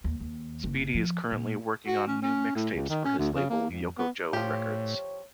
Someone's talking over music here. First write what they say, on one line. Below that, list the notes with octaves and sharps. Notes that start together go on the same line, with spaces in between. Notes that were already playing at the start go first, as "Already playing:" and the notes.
Speedy is currently working on new mixtapes for his label Yoko-Joe Records.
D#2
D#2
F#1
F3
A#2
F#4
C#4
C#4
A2
C#2
D#3
C#4
D2
C#3
A#3
F2
B3
A2 F3 G4 C#5